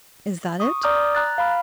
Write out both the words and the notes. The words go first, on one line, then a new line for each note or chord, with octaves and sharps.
Is that it?
C#6 D#6
D5 A#5 D6 D#6 F6 G6
A#5 F#6 A6
F5 B5 F6